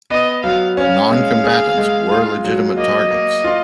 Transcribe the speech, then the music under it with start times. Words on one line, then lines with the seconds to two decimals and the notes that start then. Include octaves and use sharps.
Noncombatants were legitimate targets.
0.10 B3 D#5
0.44 F#3 F5
0.77 C#4 F5
1.11 G#3 F5
1.44 G#4
1.78 G#3
2.11 F4
2.44 F#3
2.77 A#3 D#5
3.11 A#3
3.44 F4